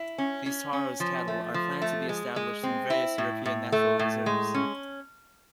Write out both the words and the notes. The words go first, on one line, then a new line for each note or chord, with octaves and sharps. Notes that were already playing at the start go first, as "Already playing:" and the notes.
These Tauros cattle are planned to be established in various European natural reserves.
Already playing: E4
C#4
C#4
C#4
F3
A3
F3
A3
G#3
G#3
C4
E4
A2
A2
A3
A2
G#3
C#4